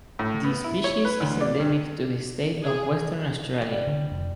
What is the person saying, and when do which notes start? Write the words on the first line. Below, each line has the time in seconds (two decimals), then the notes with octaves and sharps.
The species is endemic to the state of Western Australia.
0.19 A2
0.44 B3
0.64 E4
0.84 C#5
1.05 B4
1.20 D2
1.41 D5
1.60 G2
2.63 G#4
3.62 G3
3.87 D3
4.12 F1